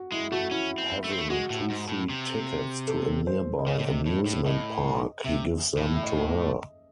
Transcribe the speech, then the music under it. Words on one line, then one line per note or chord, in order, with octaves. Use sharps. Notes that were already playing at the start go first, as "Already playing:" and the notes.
Having two free tickets to a nearby amusement park, he gives them to her.
Already playing: F#4
G#3 E4
A3 F#4
C#4 E4
C4
A3
C4
A3
G#3 F#4
A2
G#2
A2
C3
A4
C5
D#5
C#3 C#5
A2
C3
A2
A2
A2 D#5
C3 E5
A2
E5
D#5